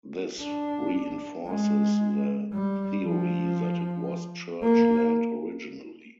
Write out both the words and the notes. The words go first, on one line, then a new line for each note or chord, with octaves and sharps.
This reinforces the theory that it was church land originally.
D4
G#3
G3
F3
A#3